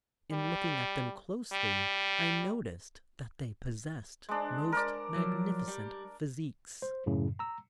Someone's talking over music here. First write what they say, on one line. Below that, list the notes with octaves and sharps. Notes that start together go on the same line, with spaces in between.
In looking at them closely, I noticed that they possessed most magnificent physiques.
G3
G3
G#3 D4
A#4 D5
F3 F#3
G3
C5
F#2 A2 C#3
A#5 E6